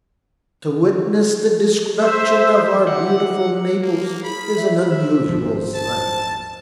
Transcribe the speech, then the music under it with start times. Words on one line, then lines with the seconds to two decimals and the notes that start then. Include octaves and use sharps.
To witness the destruction of our beautiful Naples is an unusual sight.
2.02 C5 E5
2.87 E5 F#5 D6 E6
3.82 A#3
4.24 G#4 B5
4.57 E5
4.89 C5 E5
5.28 D#1 G#1 F3
5.75 A5